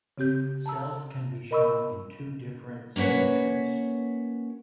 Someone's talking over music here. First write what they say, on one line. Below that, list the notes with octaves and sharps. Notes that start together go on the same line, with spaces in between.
Cells can be shown in two different symmetries.
C#3 C4 G4 G6
A5 A#5 E6
A#4 D#5 B5 C#6 E6
A#3 C#4 F#4 B4 C#5